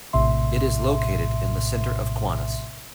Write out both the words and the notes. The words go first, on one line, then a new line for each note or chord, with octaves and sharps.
It is located in the center of Kaunas.
A#1 A2 C3 E5 C6